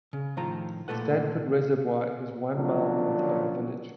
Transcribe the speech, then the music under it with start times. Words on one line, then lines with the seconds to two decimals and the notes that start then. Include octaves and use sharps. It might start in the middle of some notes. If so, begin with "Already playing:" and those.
Stanford Reservoir is one mile north of the village.
0.13 C#3
0.37 A2 D#3 F3 F4 A#5
0.88 A#2 D#3 A3 A4 B4 F#5
2.55 A#2 D3 F3 F#3 C#4 D4